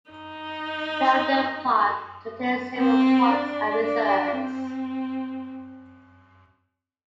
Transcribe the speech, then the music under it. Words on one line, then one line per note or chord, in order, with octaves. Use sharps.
Ferryden Park contains several parks and reserves.
D#4
C4
D4
D4
C4